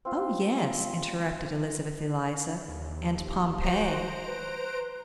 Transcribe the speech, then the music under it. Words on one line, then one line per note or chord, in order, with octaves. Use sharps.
"Oh, yes," interrupted Elizabeth Eliza, "and Pompeii."
C4 F4
D#2
G4
F#4 C5 A#5 D7
B4